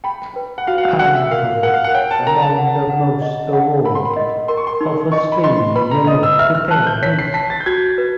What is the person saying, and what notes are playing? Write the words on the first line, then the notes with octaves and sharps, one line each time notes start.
Anthony is among the most awarded of Australian entertainers.
G5 B5
B4
F#5
F#4 F5
F#5
F5
F#5 G5
E5
A#4 F5
A#4 F#5
F5
F#5
C#5 G5
A5
A#4 A#5
A5
F#5
F#5
D#5
F#5
A#4 B5
C6
B5
D#5
A#4 C6
C#6
C6
D#4
D#5 C#6
B5
D#5 C6
B4 B5
A#5
D#5 D#6
E6
E5 F6
F6
A5 F#6
G6
C#5 B6
C7
A5 B6
A6
G6
F#4 G#6
B4